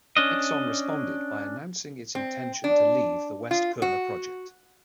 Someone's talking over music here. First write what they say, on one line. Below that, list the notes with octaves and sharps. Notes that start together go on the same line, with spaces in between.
Exxon responded by announcing its intention to leave the West-Qurna project.
C#4 D4 D#5
C4
D4
F4
F#4